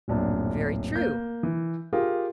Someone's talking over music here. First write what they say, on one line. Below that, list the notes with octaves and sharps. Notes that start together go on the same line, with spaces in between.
Very true.
D1 A#1 F#2 D4
A#3 G6
E3
F4 G4 G#4 A#4